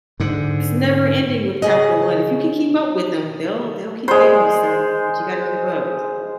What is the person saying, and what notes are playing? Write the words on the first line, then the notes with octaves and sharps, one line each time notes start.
it's never ending with Capital One. If you can keep up with them, they'll they'll keep giving you stuff, but you gotta keep up, so
G#2 D3
C#3 G#4 D#5
G#3 C5